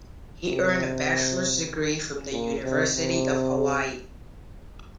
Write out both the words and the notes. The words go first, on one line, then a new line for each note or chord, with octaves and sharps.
He earned a bachelor's degree from the University of Hawaii.
C3
A#2
C3
C3